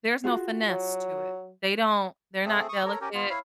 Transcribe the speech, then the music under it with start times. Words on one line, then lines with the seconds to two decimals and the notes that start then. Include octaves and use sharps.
there's no finesse to it, they don't they're not delicate,
0.24 F4 F#4 G#4
0.69 F#3
2.45 A3 C4 G#4 A4
2.69 C#6 D#6
2.86 A4 A#4 C#5 A#5
3.01 C#4 G4 A#4
3.14 B3 F4
3.30 E4 C#5 F5